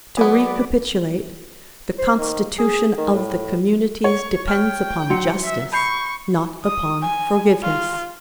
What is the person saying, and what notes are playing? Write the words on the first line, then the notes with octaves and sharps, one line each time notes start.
To recapitulate: the constitution of the communities depends upon justice, not upon forgiveness.
F#3 B3 G#4 B4 D5
C5
D#3
G#4
D#3
A2
C#5 C#6
G5 F6
F#3 C6 C#7
E5
B5 C#6 G6 C7
D#6
G#5
F4